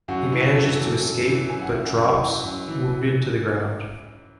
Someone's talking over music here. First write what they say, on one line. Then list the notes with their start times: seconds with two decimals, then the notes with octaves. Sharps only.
He manages to escape, but drops, wounded, to the ground.
0.08 F#2 F#4
0.32 E3
0.56 F#2 A4
0.79 E3
1.02 F#2
1.26 C#3 E3
1.50 F#2 G#5
1.62 F#5
1.73 C#3 E3 E5
1.85 F#5
1.97 F#2
2.21 E3
2.45 F#2
2.68 E3